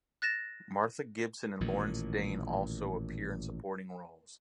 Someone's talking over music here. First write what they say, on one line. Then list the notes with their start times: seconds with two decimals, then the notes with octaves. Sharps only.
Martha Gibson and Lawrence Dane also appear in supporting roles.
0.22 F#6 A6 A#6 E7
1.60 A1 A#2 D#3